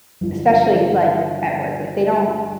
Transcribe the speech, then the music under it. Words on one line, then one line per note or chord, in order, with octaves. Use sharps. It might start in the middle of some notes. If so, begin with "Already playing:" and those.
especially, like, at work, like, they don't
G1 F3